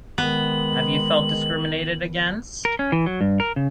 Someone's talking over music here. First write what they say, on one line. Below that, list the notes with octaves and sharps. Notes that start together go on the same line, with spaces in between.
Have you felt discriminated against?
D#3 G#3 B3 F#7
A#4
C#4
E3
F#3
G2
A#4
C#3